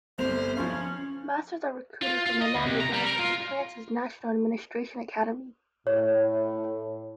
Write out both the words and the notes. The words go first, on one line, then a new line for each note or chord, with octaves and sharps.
Masters are recruited from among the graduates of France's National Administration Academy.
G1 C2 C5 F7
F3 C#4 F4 F5
F#7
F4
F4
D#5
D2
C3
A#5
G3
A#4
F4
A2 C#5